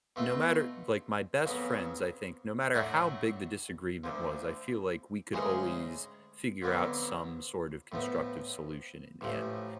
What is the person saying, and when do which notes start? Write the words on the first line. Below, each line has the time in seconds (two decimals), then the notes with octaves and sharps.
no matter like, my best friends, I think no matter how big the disagreement was, I feel like we could always figure out some sort of constructive solution in the end.
0.16 B2 A3 F4 A4
1.46 F2 C#3 F#3 B3
2.74 A2 F#3 A3 D4 F#4
4.04 D2 D3 F3
5.33 D2 C#3 G#3 C#4 G#4
6.62 F2 D3 F#3 B3
7.92 A2 F3 B3
9.21 A1 A2 F3